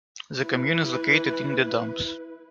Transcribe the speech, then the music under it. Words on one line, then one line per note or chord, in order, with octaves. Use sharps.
The commune is located in the Dombes.
E4 B4